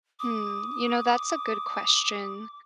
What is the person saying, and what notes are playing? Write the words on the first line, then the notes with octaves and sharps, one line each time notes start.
Hmm, you know, that's a good question.
D6 D#6